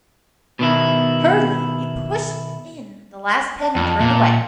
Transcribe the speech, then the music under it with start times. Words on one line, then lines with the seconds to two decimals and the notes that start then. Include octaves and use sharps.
Hurriedly he pushed in the last pin and turned away.
0.59 B2 D#3 E4
3.60 A5
3.76 F2
4.00 A#2